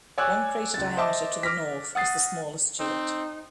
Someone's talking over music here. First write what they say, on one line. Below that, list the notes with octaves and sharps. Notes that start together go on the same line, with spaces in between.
One crater diameter to the north is the smaller Stewart.
C#5 D5 G#5 D6 E6 F#6
C#2 A6
C5 D#5 E5 A5 D6
D6 F6 A#6 B6
F#5 D#6 A6 C7
C4 D#4